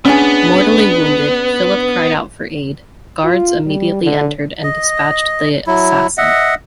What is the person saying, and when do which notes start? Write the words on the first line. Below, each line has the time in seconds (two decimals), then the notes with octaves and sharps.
Mortally wounded, Philip cried out for aid; guards immediately entered and dispatched the assassin.
0.05 B3 C#4 D4 G#4
3.24 F4
3.67 G3
4.03 D3
4.63 D#5
5.67 F#3 E4
6.18 D#5 E5 F#5